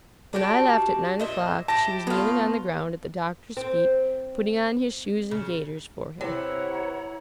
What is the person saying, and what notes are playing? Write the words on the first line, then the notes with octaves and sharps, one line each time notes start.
When I left, at nine o'clock, she was kneeling on the ground at the Doctor's feet, putting on his shoes and gaiters for him.
D4 F#4 G4
A#2 D#5 E5
E4 G4 A5 A#6
A2 B3 F4
C4
C#3
C3 E4 B4 C#5 F#5 A#5